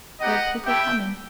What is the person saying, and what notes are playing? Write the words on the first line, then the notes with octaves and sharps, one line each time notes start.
There are people coming....
B3 D#4 G4 D#5 F#5
A3 E4 G4 E5 G5